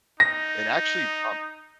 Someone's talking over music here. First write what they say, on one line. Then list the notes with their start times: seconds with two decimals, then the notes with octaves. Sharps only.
And, actually, um
0.20 D#4 A#6